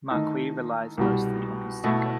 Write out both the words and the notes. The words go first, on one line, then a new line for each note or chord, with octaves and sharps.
Marquis relies mostly on his sinker.
D#3 A3 D#4
C2 B2 G3
B2 A3 E4